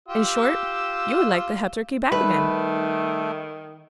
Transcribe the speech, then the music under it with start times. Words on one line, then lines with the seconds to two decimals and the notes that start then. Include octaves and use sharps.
'In short, you would like the Heptarchy back again.
0.08 F4 G4 E6
2.12 D#3 G3 A3 D#4 B4